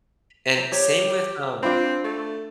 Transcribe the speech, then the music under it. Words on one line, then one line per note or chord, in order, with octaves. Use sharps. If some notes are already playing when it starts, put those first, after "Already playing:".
And same with, um,
C5 A#5
G4 C#5
C4 D4 F4 B5
A3